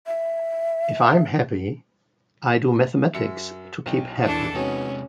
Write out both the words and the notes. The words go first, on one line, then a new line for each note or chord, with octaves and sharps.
If I am happy, I do mathematics to keep happy.
E5
F#2 E5 C#7
B1 G5
E2 E3 D4 A4
C3 G#3 B3 C#4 D#4 F#4